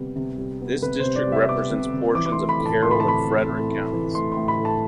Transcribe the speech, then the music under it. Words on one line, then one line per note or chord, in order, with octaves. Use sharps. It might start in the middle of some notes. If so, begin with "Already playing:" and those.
This district represents portions of Carroll and Frederick Counties.
Already playing: C3 G3 B3
C3
G3
B3
C3 B4
C3 C5
D5
G3
E5
B3 D6
C3
C3
E3 D6
D6
C6
A3
B5
A2
A5
A2 C6
B5
A5
E3 B5
A3
A2
A2
E3
A3 C6
A2 C6
B5
A2
A5